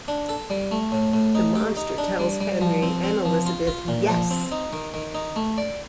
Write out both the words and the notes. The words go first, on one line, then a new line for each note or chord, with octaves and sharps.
The Monster tells Henry and Elizabeth Yes!
D4
A4
G3
A3
A2
A2
D#4
G4
D#4
D4
G3
G3
F3
C4
C4
F3
F4
F4
A#2
F3
C4
D#4
D#3
D#3
D#4
A3
D5